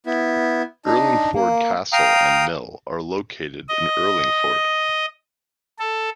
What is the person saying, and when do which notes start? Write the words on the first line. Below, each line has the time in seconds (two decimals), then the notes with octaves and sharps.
Urlingford Castle and mill are located in Urlingford.
0.06 B3 E4
0.85 D4 D#4
1.35 A#3
1.92 F5 G5 A#5 D#6
3.69 D#5
5.79 A4